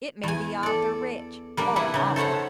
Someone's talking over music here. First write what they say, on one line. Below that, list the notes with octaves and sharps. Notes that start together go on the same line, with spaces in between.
It made the author rich--for an author.
E2 G#5
A4 D5
G3 A#3 D4
E4 G#4 B4 E5 F#5
C#3 D#4
A4 C5 C#5 F#5 B5